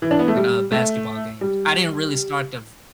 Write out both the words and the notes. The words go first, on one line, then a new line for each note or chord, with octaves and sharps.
and, uh, basketball games, I didn't really start to v
E3
D4
B3
A3
G3
A3
G3